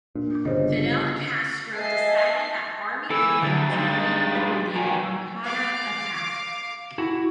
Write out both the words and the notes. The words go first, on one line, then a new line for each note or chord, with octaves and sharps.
Fidel Castro decided that army uniforms were needed for the Moncada attack.
A#2 D4
G1 C#3 C5 C#5 D#5
D#5 E5 G#5 A5 C7
E3 A4 E6
D2 D3 F#3 A6
G2 G#3 D#4 D#5
F4 B4
A#2 D#3 G#5
F5 D6
E4 F#4